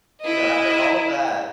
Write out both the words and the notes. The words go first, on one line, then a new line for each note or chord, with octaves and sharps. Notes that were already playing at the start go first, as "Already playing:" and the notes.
you know, "After all that,"
E4 D#5